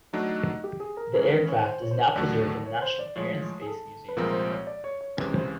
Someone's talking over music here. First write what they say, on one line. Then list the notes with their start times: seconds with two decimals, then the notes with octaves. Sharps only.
This aircraft is now preserved in the National Air and Space Museum.
0.13 F#3 A3 D4 D#4
0.64 G4
0.80 G#4
0.97 A#4
1.14 E3 G#3 C#4 E4 A#4
1.31 B4
1.48 C#5
1.65 C5
1.82 C#5
1.91 C5
1.99 C#5
2.15 D#2 D3 F#3 A3 D5
2.66 C#5
2.82 C5
2.99 D5
3.16 A2 F3 G#3 C#5
3.61 G#4
3.67 A4
4.08 B4
4.17 C2 A#2 F3 G#3 C4 A#4
4.33 C5
4.51 C#5
4.67 D5
4.84 C#5
5.01 C#5
5.17 C#2 C3 E3 G#3 C#4 B4
5.34 C5